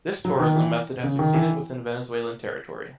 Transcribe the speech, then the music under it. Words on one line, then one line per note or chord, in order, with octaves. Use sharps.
This tourism method has succeeded within Venezuelan territory.
F#3
D#3
E3
C#3
D#3
E3